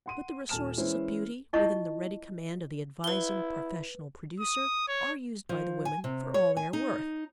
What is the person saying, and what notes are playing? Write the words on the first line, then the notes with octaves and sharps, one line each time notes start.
But the resources of beauty within the ready command of the advising professional producer are used by the women for all they are worth.
F#5 C6 D#7
D#1 G#5 A5 F6 E7
E3 G#3 C#4 E4 B4 C5
E4 F4 D#5 A5 C#6
E4 B4 G7
D#6
C#5
F3
G#5
C3
C#5
G#5
D#4